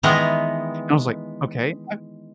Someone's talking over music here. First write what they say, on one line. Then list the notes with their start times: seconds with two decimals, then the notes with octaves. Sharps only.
I was like, "Okay, I've"
0.03 D#3 E3 G#3 B3 D#5 A#5